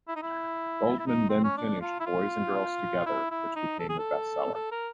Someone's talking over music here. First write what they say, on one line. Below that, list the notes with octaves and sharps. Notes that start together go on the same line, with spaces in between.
Goldman then finished "Boys and Girls Together" which became a best seller.
E4
D#4
E4
E4
D#4
C4
C#4
D4
F4
E4
F4
E4
E4
D#4
A4
G#4
A4
A4
A#4